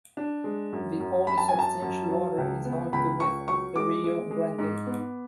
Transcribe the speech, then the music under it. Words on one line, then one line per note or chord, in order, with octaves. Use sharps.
The only substantial water is half the width of the Rio Grande.
D4
G#3
F#2
F#2
F#2 B5
A5
G#5
F#2 A5
F#2
F#3
C#2
B3
C#2 B5
C#2 C#6
F#3 C#6
G#3 D6
G#3
G#3
G#2
B3